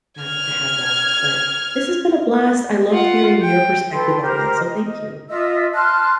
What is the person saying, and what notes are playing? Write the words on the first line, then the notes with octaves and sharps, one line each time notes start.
uh, to have that, but this has been a blast, I loved hearing your perspective on this, so thank you.
F6 G#6
F4 F#5
G5
A4 B4 G5 C6
G4 A#4 C5
D#5
F4 D#5 E5 E6
A5 C6 F6 F#6